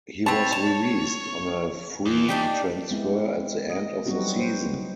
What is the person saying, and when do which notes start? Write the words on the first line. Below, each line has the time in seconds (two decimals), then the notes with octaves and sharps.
He was released on a free transfer at the end of the season.
0.26 C4 B4 C#5 A5
0.52 A5
2.06 E2
2.29 D4 D#4 G4
2.91 G#3 B3 C4 E4
3.70 D#5
4.06 F#3 G3 B3 C4 D#4 F#4
4.39 C5